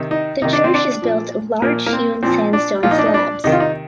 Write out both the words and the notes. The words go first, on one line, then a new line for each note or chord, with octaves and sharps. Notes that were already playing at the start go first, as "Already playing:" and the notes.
The church is built of large hewn sandstone slabs.
Already playing: C3 D#3
D#4
C3 D#3 D#4
D4
C4
D4
A#2 F3
A#2 F3 A#3
A#3
C4
A#2 F3 C4
D4
A#2 F3 F4
D#4
D4
D#4
D4
C3 D#3 D#4
F4
D#4